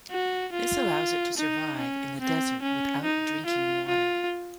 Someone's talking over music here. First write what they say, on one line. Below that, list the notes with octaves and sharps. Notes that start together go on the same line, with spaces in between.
This allows it to survive in the desert without drinking water.
F#4
F4
D#4
C#4
C4
C#4
D#4
F4
F4